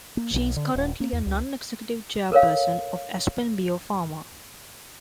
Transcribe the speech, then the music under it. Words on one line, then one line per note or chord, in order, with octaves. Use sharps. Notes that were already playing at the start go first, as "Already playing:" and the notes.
She is currently a non-executive chairperson of AspenBio Pharma.
A#3
B1
D3
D#1
A#3
E2
C#2
A4 A#4 C#5 F5